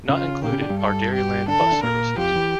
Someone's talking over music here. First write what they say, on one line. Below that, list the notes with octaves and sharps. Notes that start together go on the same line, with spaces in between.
Not included are Dairyland Bus services.
C#3 C#4 F4
A#2 A#3 G4
C#3 C#4
D3 D4
G2 G3
A4
G4
D3 D4 A4
E3 E4
D3 D4
A#2 A#3 A#4
F2 F3 G4
E3